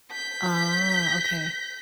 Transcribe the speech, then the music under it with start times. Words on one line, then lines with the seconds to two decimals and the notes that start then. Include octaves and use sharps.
ah, okay.
0.12 G6 B6